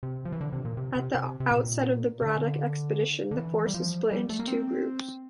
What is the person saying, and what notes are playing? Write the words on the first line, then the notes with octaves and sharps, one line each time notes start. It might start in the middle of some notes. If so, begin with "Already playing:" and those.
At the outset of the Braddock Expedition, the force was split into two groups.
C3
F3
E3
D3
C3
A#2
C3
C3
C3
C3
A#2
C3
D3
D3
E3
G3
F3
G3
A3
A#3
C4